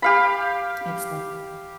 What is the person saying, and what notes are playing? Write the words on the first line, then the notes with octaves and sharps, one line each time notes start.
Makes sen
G4 F5 B5